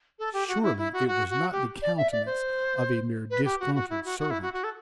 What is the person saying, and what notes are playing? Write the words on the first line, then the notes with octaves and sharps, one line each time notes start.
Surely it was not the countenance of a mere disgruntled servant.
A4
G4
F#4
E4
E4
F#4
F#4
F#4
G4
D5
E5
D5
C5
B4
G4
F#4
F#4
E4
F#4
F#4
E4
F#4
F#4
A4